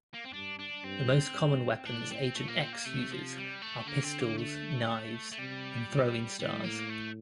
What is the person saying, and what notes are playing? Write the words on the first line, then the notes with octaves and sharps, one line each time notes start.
The most common weapons Agent X uses are pistols, knives, and throwing stars.
A#3
C4
G2 D4
D4
G2 C4
G2
A2 D4
C4
A#2 A3
A#3
C4
A#3
C3 A3
F3
G3
A3
D3 A#3
C4
A#3
A3
A3
C3 G3
A#2
A2 G3
A#3
A3